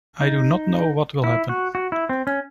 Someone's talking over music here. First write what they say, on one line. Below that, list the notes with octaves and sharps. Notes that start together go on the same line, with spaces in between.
I do not know what will happen.
D#4
E4
F#4
F#4
E4
C4
C#4